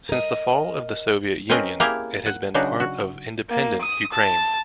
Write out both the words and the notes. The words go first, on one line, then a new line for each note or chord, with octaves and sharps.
Since the fall of the Soviet Union, it has been part of independent Ukraine.
A#4 D#5
C4 C#4 A#4 B4 D#5
A#3 E4 G4 G#4 A#4 F5
F#5
C#3 F#3 D4 D#4 F#4
F#4
A#3
D#6
A5